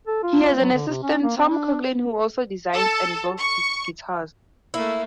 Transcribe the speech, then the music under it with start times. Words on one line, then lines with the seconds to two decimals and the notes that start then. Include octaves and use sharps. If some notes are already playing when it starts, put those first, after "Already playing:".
He has an assistant, Tom Coughlin, who also designs and builds guitars.
0.07 A4
0.23 F4
0.60 F#3
0.73 D3
0.88 C3
1.03 C#4
1.23 A#3
1.37 C4
1.50 D4
2.74 A4
3.40 C#6
4.74 A3 A#3 E4